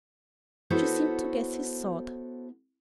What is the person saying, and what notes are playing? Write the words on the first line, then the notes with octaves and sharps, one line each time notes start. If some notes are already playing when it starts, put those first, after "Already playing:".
She seemed to guess his thought.
B3 E4 F#4 A4 C5 C#5